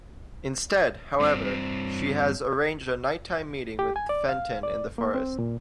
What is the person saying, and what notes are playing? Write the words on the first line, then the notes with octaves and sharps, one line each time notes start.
Instead, however, she has arranged a nighttime meeting with Fenton in the forest.
G2 C4
G4
G#5
D5
F5
D5
A#3
C4
A#2